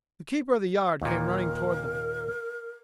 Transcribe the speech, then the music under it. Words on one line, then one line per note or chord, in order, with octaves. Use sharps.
The keeper of the yard came running toward them.
D#2 A#2 A#4